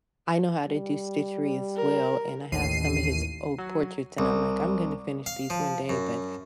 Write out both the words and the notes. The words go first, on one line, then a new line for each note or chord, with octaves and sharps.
I know how to do stitchery as well, and I have some of his old portraits, and I'm like, "I'm gonna finish these one day," but
G3
A#4
A1 D#2 C7 D#7
F#3
C2
F5
F3
F#2